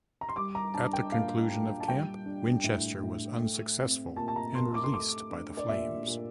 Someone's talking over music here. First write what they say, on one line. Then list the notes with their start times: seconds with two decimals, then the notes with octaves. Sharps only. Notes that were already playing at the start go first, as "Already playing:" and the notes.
At the conclusion of camp, Winchester was unsuccessful and released by the Flames.
0.21 A#5
0.29 C6
0.36 G3 D6
0.55 A#5
0.74 D4 A5
0.93 G5
1.12 A#2 F5
1.50 A#2
1.80 A5
1.88 G3 G5
2.26 D4
2.64 A2
3.03 A2
3.40 A3
3.79 C4
4.16 A#2 A5
4.28 A5
4.36 A#5
4.55 A#2 C6
4.74 D6
4.84 C6
4.92 A3 D6
5.30 D4
5.57 D5
5.69 A#2 E5
6.07 A#2